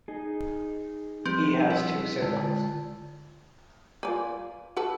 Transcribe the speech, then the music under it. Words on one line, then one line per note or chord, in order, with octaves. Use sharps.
He has two siblings.
D#4 G#4
F3 G3 C4 B4
E4
D3 G#3 F4
F4 A#4 B4 D5 G#5
F#4 A4 B4